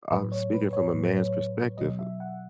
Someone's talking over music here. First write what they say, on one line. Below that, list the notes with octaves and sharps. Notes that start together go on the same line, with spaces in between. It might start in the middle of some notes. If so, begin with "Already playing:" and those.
I'm speaking from a man's perspective.
A2 F#3 B4
C#5
B4
C#5
A2 F#3
B2 F#3 D#5
E5
F#5